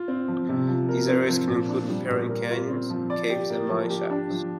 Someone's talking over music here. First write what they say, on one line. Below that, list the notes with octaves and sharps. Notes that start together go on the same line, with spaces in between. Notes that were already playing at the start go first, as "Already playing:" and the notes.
These areas can include riparian canyons, caves, and mine shafts.
Already playing: F4
C4
F3
C3
F3
A#4
C4
F3
A#2
D4
G3
A#2
A#4
F4
C4
F3
D5
G4
A#3
F3
G4
D4
F3